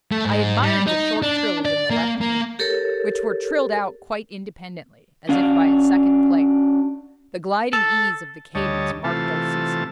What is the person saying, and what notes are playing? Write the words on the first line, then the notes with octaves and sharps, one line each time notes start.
I admired the short trills in the left hand, which were trilled out quite independently, as if by a second player; the gliding ease of the cadence marked dolcissimo.
A3
G#2
G3
D#4
D4
D5
A#3
A#3
G4 A4 A#4 C#5
C#4 D4 F#4 F5
A4
D2 G3 C#5 D#5 A5
C3 E3 A3 F4 A5